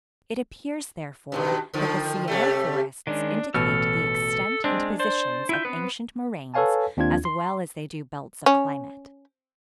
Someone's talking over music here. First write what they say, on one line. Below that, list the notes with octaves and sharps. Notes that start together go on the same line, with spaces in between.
It appears, therefore, that the Sierra forests indicate the extent and positions of ancient moraines as well as they do belts of climate.
G2 B2 D#3
D3 D#3 F3
C3 G3 A3
D#3 G#3 C#4 D4
A1 B2 A4 E6 F6
G#3 C4 D4
C5 D5
E4 F4 E5 G6
B3 C4 B4
A4 B4 C#5 F5 G#5 A5
D#2 C4 D4 F4 G#6
C6
C#4